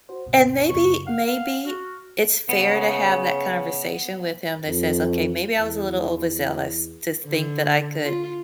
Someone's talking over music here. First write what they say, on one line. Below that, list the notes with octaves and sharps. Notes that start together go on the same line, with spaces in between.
And maybe maybe it's fair to have that conversation with him that says, "Okay, maybe I was a little overzealous to think that I could
F#4 C5
D2 G2 B2
F#2 C#3 B3 C#6
F5 F#5
F#4 F6
C#3 B3
F2
E2
D3
F4